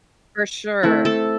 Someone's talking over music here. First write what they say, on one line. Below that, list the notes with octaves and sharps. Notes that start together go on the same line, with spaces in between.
For sure.
A3 C4 E4
A4